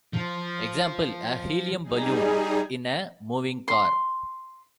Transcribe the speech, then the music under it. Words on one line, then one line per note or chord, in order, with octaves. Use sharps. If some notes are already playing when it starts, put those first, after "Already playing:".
Example: A helium balloon in a moving car.
F3
G3 D#4 G#4
C6